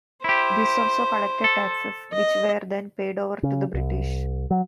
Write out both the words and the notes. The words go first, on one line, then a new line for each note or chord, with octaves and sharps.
These also collected taxes, which were then paid over to the British.
E4 G4 C5
A4
D#5
C#3
C2
F#3